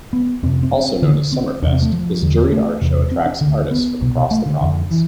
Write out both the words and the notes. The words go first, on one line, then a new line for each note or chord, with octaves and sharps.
Also known as Summerfest, this juried art show attracts artists from across the province.
B3
F2 C3 C4
C4
C4
D2 D3
C4
E2 C3 D4
C4
A3
F3
E2 D3
A3
E2 C3
C4
D4
D3
D2
B3
C2 B2
A3
D3
F2 D3
E3